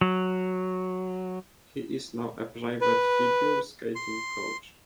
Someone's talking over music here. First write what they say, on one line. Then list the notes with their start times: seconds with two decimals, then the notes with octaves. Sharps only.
He is now a private Figure Skating coach.
0.01 F#3
2.81 B4
3.96 C6